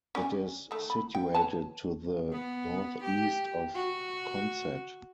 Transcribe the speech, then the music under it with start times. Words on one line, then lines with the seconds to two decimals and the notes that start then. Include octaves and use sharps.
It is situated to the north-east of Consett.
0.15 C#4 D5 G#5
0.71 D#3 A3
0.90 B5
1.15 G5
1.34 B4 C#5 A5
2.32 B3
3.04 G4
3.75 F#4